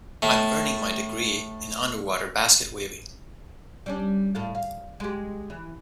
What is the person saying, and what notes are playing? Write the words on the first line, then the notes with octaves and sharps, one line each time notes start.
I'm earning my degree in underwater basket weaving.
A2 A3
G3 C#4 D4
A2 A4 F5
F5
G#3 G4
E3